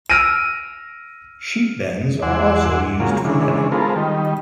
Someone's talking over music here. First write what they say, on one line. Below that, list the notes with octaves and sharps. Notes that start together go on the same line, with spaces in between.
Sheet bends are also used for netting.
E6 F6 A#6 D7 D#7
E2 F#5 G#5 C6 D6 E6
C#3 F#3 G#3 A#3 F4
C#3 E3 G#3 D4
G#3 B3 C4 F4 A4 A#4
D#3 G3